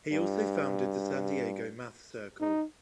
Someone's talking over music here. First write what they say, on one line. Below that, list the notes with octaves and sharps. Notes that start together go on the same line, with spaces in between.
He also founded the San Diego Math Circle.
G2
D#4